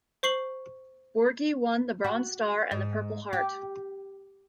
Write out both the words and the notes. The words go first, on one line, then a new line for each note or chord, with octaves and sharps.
Borghi won the Bronze Star and the Purple Heart.
C5 C#6 C7 F#7
F#4
G#2
G4